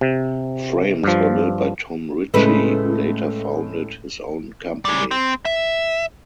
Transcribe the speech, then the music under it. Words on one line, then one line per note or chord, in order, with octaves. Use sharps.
Frames were built by Tom Ritchey, who later founded his own company.
C3
G2 F3
A2 C#3 G#3 A3 B4
G3 G#3
C4
E5